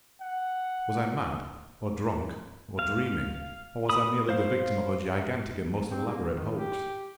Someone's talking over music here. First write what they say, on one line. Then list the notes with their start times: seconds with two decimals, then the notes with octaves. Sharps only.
Was I mad, or drunk, or dreaming, or was I merely the victim of a gigantic and most elaborate hoax?
0.21 F#5
2.79 F5
3.89 B5 D#6
4.29 C5 F5
5.90 C4
6.07 A#3
6.34 D#3
6.57 G4